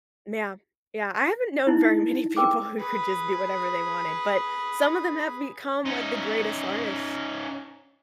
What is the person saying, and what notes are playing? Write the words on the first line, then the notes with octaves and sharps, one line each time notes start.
Yeah. Yeah, I haven't known very many people who could just do whatever they wanted, but some of them have become, like, the greatest artists
D#4 E4
A#4 G5 D6
G#4 B4
C#4 D#4